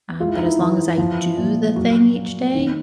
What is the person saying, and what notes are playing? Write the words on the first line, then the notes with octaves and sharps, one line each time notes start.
Uh, but as long as I do the thing each day,
G#3 F4
E4
D#4
E4
E3
F3
A#2
F#3 F#4
A#3
D#3